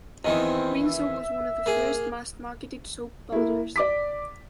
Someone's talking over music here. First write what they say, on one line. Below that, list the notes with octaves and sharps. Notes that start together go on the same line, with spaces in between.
Rinso was one of the first mass-marketed soap powders.
E2 D#3 E3 C4 D#5
E5
A#3 G#4
A#3 E4
D5 D6 B6